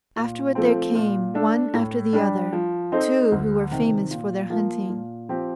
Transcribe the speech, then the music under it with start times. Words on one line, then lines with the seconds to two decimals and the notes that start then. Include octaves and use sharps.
Afterward there came, one after the other, two who were famous for their hunting.
0.16 A#2
0.55 F3 A3 C4
0.95 A#2
1.34 A3 D4 A4
1.74 A2
2.13 G3 D4
2.53 F3
2.92 C4 D#4 A4 C5
3.32 D2
3.71 C3 D#3
4.11 A#2
4.50 F3 A#3 F4
4.89 A#2
5.29 F3 C4 G4